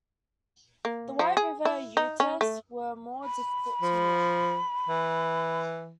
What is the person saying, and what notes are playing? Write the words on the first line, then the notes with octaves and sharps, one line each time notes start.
The White River Utes were more difficult to move.
A#3
F3
G#4
E4
D#4
C#4
A3
B5
F3
E3